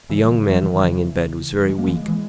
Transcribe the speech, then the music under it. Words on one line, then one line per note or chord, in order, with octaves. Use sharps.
The young man lying in bed was very weak.
C#3 E3
G3
C#3 E3
G3
E3
D#3
C#3 E3
G#3
A#3
E3 G#3
E3 G#3